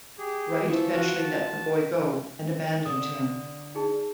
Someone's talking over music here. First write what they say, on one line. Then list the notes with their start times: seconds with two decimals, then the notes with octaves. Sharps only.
Wright eventually let the boy go and abandoned him.
0.19 G4 G#4
0.68 E3 F3 E5 C#6
0.94 F4 F#4
1.19 A5
2.85 D3 D#6
3.75 D#4 G#4 A5